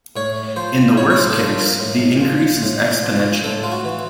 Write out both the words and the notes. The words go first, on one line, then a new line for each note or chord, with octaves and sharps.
In the worst case, the increase is exponential.
A2 C#5
F3 C5
A2 C#5
C#5
C5
A4
F3 A#4
A#4
A2
F3
A2
F3
A2 A4
F4
F#4
E3